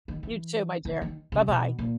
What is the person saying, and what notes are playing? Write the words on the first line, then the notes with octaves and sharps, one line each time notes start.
You, too, my dear. Bye bye.
D#3
E3
D#3
D#3
C#3
B2
A#2